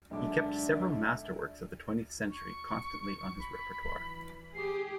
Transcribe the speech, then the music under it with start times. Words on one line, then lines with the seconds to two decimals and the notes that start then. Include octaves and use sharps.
He kept several masterworks of the twentieth century constantly on his repertoire.
0.11 B1 D3 G#3 D4 E5 D6
2.30 C#6
3.39 B5
3.95 E3
4.54 G4 G#4 C7